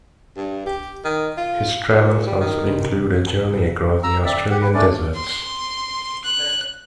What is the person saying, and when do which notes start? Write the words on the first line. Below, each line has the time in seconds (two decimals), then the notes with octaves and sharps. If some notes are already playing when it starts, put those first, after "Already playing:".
His travels also include a journey across the Australian deserts.
0.37 G2
0.67 G4
1.05 D#3
1.38 F4
1.91 A#2
2.27 G3
2.41 D#3
4.03 A#5 E6
4.25 C4 D5 E5
4.36 D5
4.50 G4 F#5
4.61 B4
4.74 A3 C#4 D4 D5
5.15 C6
6.24 F#6